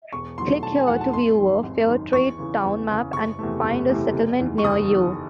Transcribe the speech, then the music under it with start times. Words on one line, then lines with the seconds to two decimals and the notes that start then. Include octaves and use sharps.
Click here to view a Fairtrade town map and find a settlement near you.
0.13 E1 C#6
0.38 E2 D#3 F#3 A3 C6
0.63 E1 A5
0.76 G#5
0.87 E2 D#3 F#3 A3 F#5
1.01 A5
1.13 G#1 C6
1.38 F#2 D#3
1.63 G#1
1.88 F#2 D#3
2.13 E2 C#6
2.38 C#3 E3
2.64 E2
2.89 C#3 E3
3.13 F#1 C#6
3.39 E2 C3 E3 A3
3.64 F#1
3.89 E2 C3 E3 A3
4.14 F#1
4.39 E2 D#3
4.58 C#6
4.64 F#1 D#6
4.89 E2 D#3